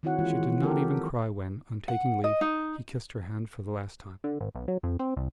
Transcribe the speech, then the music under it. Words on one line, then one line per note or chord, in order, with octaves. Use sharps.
She did not even cry when, on taking leave, he kissed her hand for the last time.
D#3 C4 E4 F#4 C#5 F#5
E3 G#3 A#3 F4
D#3
E3
D#3 F3 C4 G4 A4 A#4
D#3 F#3
F#5
D#5
D#4
D3
G#1
B1
F#3
F2
C4
C2